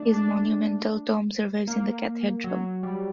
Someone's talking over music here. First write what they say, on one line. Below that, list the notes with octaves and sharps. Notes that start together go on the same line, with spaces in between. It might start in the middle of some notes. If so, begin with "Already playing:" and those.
His monumental tomb survives in the cathedral.
Already playing: A3 D4
D4
A#3
F#3
G3